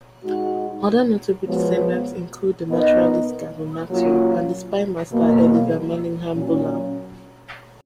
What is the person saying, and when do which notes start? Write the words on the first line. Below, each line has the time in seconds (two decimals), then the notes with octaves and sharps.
Other notable descendants include the naturalist Gavin Maxwell and the spymaster Eliza Manningham-Buller.
0.24 G#3 D#4 F#4
1.46 F3 G#3 B3 F#4 C#5
2.69 B3 D#4 A#4 D#5
3.91 F#3 A#3 C#4 F4
5.13 B2 F#3 A#3
6.35 A#2 F#3 C#4